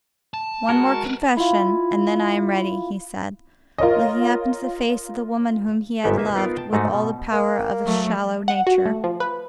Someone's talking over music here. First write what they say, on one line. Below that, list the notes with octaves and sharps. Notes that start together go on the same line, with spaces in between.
"One more confession, and then I am ready," he said, looking up into the face of the woman whom he had loved with all the power of a shallow nature.
A5
G#3 F#4 A#4
A#4 B4
E4 F4
F4 A#4 C#5 D#5
G1 G#2 B3 G4 A4 E5
A#3 E5 G#5
B3 D#4 F4 A#4 F5
G5 A5
G#2 A3 D#4 F#4
B2
A#3
F#3 A3
F#5
F#4
A3
F3
B4